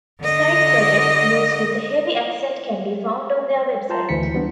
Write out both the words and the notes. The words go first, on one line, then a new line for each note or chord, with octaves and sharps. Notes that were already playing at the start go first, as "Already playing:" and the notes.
A side project, Blues With A Heavy Accent can be found on their website.
D3 D#5
F4 A#4 C5 A5 A#5 C6
D2 E3 A3 E4 B6 C#7
E3 G3 B3 D4